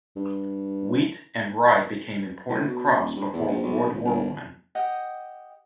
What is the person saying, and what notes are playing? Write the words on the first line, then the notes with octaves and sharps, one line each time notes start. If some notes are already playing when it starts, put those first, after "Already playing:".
Wheat and rye became important crops before World War One.
G2
A2
B2
D#1
G2
E2
A#1
B1
G#1
G1
G4 D#5 F#5 G5